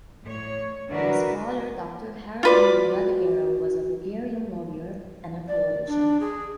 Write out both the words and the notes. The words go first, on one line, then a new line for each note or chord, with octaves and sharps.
His father Doctor Haralan Vladigerov was a Bulgarian lawyer and a politician.
A2 C#5
D3 E3 D4 F#4 A#4 B4
F4 F#4 B4 D5
D5
D4
G#4